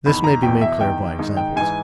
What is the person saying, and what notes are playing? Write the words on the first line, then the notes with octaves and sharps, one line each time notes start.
This may be made clear by examples.
E2 D#3 B5
A#5
E2 B2 G5
E5
E2 D#3 G5
G#2 D#3
G5
G#2 E3 G#5